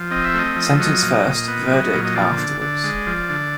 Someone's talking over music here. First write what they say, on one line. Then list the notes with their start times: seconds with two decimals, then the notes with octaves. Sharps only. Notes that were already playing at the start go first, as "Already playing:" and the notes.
Sentence first—verdict afterwards.
Already playing: F3
0.11 C4 D#5
0.25 E5
0.34 A3 D#5
0.56 F3
0.80 F#3 D#5
1.02 A#2
1.25 A#2
1.48 B3
1.70 F#3
1.93 A#2
2.05 D#5
2.15 F3 D5
2.38 D3
2.61 D3
2.83 G#3
3.07 F3
3.29 D3